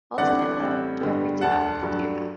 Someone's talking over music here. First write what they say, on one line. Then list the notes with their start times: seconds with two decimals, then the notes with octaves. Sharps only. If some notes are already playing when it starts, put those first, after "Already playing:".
Ultimately, Jeffery did not have to do that.
0.18 G1 G2 E3 A3 C4 D5 F#5
0.60 A1 A2 G3 C4
1.01 G2 D3 G3 B3
1.41 E1 D2 D3 A3 D4 F#5 A5
1.82 G2 F#3 A3 D4